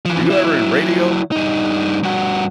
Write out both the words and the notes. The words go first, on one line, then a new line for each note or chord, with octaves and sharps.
were you ever in radio?"
E3 F3
F#3 E4
G2 D#4
G2 F#4